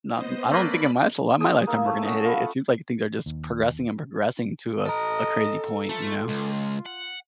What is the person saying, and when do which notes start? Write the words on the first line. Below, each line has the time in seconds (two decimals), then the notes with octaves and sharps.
not I don't think in my my lifetime we're gonna hit it, it seems like things are just progressing and progressing to a to a crazy point, you know?
0.13 B3 C5 D#5
0.52 A3 A#3 B4 D5 B5
1.40 G#3 G#4 G5 D#6
1.67 A#3 A#4 D5 E5
1.84 A3 E4
2.02 C#4 D#5 F#5
2.25 F4 A4 F#5 B5
3.26 D#2
4.86 A4 D#5 A#5
5.89 A3 F4
6.29 C#2
6.86 F#5